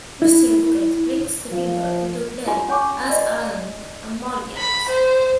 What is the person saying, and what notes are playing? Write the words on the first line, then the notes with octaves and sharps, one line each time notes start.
Mr. Bucket brings the finger into play as an emollient.
E4
F3
F4 G4 G#5 B5 C6
C#4 C#5 G#5 C#6 D6
D5 D#5 B5
B5
C5